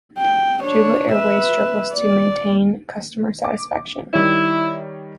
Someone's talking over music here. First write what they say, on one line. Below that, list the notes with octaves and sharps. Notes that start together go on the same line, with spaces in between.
Jubba airways struggles to maintain customer satisfaction.
G5
D4 C#5
B4 E5
D5
D6
D#3 G3 E4 C#5